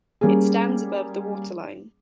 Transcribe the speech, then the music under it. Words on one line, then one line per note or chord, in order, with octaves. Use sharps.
It stands above the waterline.
G3 A#3 C#4 G#4